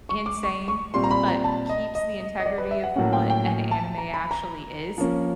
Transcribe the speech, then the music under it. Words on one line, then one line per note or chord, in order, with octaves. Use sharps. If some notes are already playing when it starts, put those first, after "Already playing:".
insane, but keeps the integrity of what an anime actually is,
C#6
D6
C#6
C#6
A#2 G3 C4 C6
A#5
B5
A#5
A5
D#5
D#5
D#5
D#5
D5
B4
E5
F#5
A2 F#3 A#3 C#4 F#5
G5
G5
G#5
A5
A#5
B5
A#5
F3 A#3 C#4